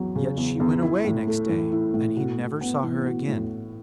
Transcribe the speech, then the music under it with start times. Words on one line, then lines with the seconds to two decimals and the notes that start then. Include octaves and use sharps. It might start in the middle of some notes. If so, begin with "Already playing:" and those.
Yet she went away next day, and he never saw her again.
Already playing: E2 F#3
0.16 C#3
0.37 E2
0.60 E2
0.82 E4
1.05 A2
1.27 A3
1.49 E3
1.72 E4
1.94 A2
2.17 F#4
2.39 A2
2.61 B3
2.83 E3
3.06 F#4
3.28 A2